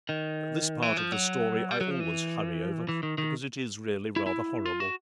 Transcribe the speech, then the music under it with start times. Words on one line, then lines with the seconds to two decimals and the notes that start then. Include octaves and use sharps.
This part of the story I always hurry over, because it is really rather horrible.
0.09 D#3
0.82 E3
0.97 F3
1.12 F#3
1.71 G3
1.81 F#3
1.91 F3
2.00 E3
2.89 E3
3.03 D#3
3.18 D#3
4.16 E4
4.26 E4
4.66 F4
4.80 F#4